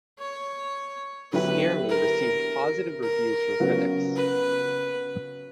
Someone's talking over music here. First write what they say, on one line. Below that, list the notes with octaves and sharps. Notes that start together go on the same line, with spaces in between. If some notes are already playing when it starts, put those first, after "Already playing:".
Scare Me received positive reviews from critics.
C#5
D3 F#3 B3 E4 G4 B4
A#4
A#4
C#3 F#3 B3 F#4
B4